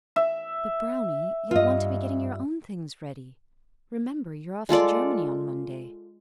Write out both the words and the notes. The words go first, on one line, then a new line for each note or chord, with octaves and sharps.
'But, Brownie, you'll want to be getting your own things ready. Remember, you're off to Germany on Monday.'
E5
G2 F4 D#5
G#3 F4 A4 D5